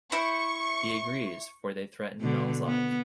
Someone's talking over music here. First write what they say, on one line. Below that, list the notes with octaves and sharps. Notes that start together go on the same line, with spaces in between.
He agrees; for they threaten Mel's life.
E4 C5 C#6
B2 D3
B3